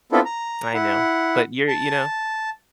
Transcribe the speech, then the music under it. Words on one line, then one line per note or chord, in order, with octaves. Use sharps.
I know. But you're you know?
B3 C4 D4 E4 F4 A4
A#5
E4 F#5
A5